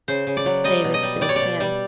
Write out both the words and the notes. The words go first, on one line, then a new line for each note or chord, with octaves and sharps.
It's save as save can.
C#3 C5
C#3
D5
F#3
G3 D#5
B2
D#5
G3
G3 D5
C#5
D5
B2
G3